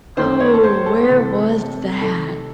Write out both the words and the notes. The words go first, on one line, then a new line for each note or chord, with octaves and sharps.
Oh, where was that?
F#2 D#3 A3 C5
C#5
A4
C5
A4
C3 E3 A3
C3 D#3 A3 A4